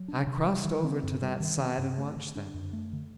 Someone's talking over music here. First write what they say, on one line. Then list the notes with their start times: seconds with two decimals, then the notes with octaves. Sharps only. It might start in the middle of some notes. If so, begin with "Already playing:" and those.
I crossed over to that side and watched them.
Already playing: F#3
0.08 D4
0.27 C3
0.46 G3
0.65 D#3
0.84 C4
1.03 G2
1.22 G3
1.40 D#3
1.60 C4
1.78 G2
1.97 A3
2.16 D3
2.35 D4
2.54 F#2
2.73 A3
2.93 D3